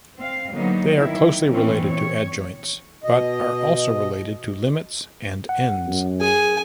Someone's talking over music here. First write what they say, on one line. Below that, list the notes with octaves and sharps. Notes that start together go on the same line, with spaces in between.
They are closely related to adjoints, but are also related to limits and ends.
C4 F5
D3 F#3 A#3 B3 D#4
D#3 E4
A#2 E3 A3 C4 C#4
C#5
B2 D#5
F#5
F#2
G#4 G#5